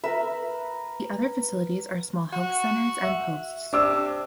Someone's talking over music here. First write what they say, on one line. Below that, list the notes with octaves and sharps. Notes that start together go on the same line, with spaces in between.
The other facilities are small health centers and posts.
A#4 B4 E5
F#4
E5
C3 D4 D6 E6